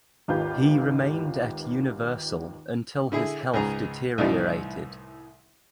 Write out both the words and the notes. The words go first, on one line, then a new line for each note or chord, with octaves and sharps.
He remained at Universal until his health deteriorated.
G#1 D#2 F4 G4 B4 G6
D3 E4 G#4
C#2 G#2 G#4 A#5
C2 A2 E3 D#4 D5